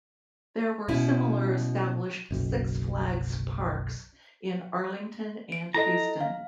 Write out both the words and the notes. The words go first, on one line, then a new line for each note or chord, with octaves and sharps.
There were similar established Six Flags parks in Arlington and Houston.
B2 C#4 E4
F#1 B1
D7
E4 A4 D#5 A#5
F5